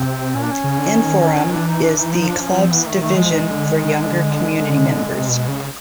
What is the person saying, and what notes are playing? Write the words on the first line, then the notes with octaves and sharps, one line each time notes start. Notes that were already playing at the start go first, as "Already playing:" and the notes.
Inforum is the Club's division for younger community members.
Already playing: C3 C4
A#2 C#4
D4
C#4
C#3
D3
D#3
E3 D4
D#4
D4
D#4
F3 D#4
D4
D4
C#4
C4
E3 B3
D#3 A3
D#3 A3
F3 G#3
D#3 G#3
D3
D#3
D3
C3
B2
C#3